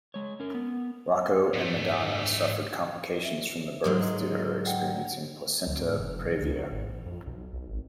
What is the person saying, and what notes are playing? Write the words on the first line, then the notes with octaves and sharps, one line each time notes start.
Rocco and Madonna suffered complications from the birth due to her experiencing placenta praevia.
G#3 C#5
C#4 A#4
B3
G#2 A3
D5 E5
G#2 F#3 G#3
D5 F#5 G5
D2
G#2
F1
B1
D2
F#3
G#1
A#1
F2
B1
B1
G#1